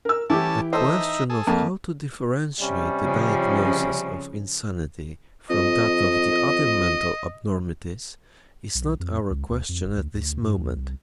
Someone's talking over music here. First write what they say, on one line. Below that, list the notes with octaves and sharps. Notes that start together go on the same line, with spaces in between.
The question of how to differentiate the diagnosis of insanity from that of the other mental abnormities is not our question at this moment.
A#4 E6
E3 C#4 E4 G4 A4 A5 D6
D#4 A4 C5 D#5 E5
G#4 A4
F2 A#3
C3 G3 C#4
C#3 F3
F2 D#5
B1
F2
C#2
D2
F2
F1
D2
D2
G2
D#2
C2